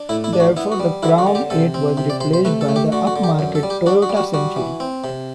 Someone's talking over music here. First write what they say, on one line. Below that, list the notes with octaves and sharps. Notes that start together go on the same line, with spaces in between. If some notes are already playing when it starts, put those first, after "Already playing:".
Thereafter the Crown Eight was replaced by the upmarket Toyota Century.
Already playing: D4
A2 E4
E4
D4
F#4
B3 E4
F#4
G3
D3 E4
F#4
D3
G4
C3 A4
C4
C3
D5
C3 C5
C5
A3 B4
A4
A3
G4
D3 F#4
F#4
D3
G4
F#2
A4
G3
G4
D4 F#4
F#4
G3
F#4
G3 F#4
E3
C4
C3